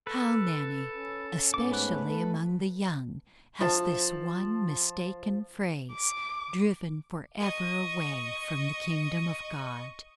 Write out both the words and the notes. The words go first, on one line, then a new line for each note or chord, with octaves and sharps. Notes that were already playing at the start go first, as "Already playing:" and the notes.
How many, especially among the young, has this one mistaken phrase driven forever away from the kingdom of God?
A4 B4
C#4
G#2 B3 C#4 D6
A3 B5 F#6
A4 B4
F3 A5
D6
D#5 C#6